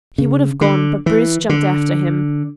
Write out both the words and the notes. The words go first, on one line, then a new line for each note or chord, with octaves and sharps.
He would have gone, but Bruce jumped after him.
C#3
D3
E3
D3